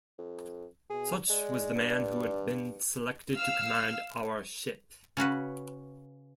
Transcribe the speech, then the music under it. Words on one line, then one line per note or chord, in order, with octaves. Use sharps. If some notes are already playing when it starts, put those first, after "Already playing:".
Such was the man who had been selected to command our ship.
F2
B2 G#4
G#3 D5
G2
F5 E6 F6
C#3 C#4 F#4 B4